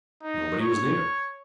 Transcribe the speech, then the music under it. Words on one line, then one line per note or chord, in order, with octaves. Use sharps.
Nobody was near.
D#4
C#5